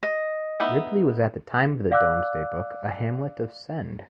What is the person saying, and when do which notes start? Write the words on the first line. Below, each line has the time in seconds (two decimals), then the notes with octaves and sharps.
Ripley was at the time of the Domesday Book a hamlet of Send.
0.03 D#5
0.60 B3 D#4 E4
1.91 D5 F5 F#5 D6 E6 F#6